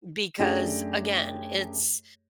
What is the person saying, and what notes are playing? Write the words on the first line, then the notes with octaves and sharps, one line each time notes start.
because, again, it's
F#2 A3 D4 G4 G#4 A#6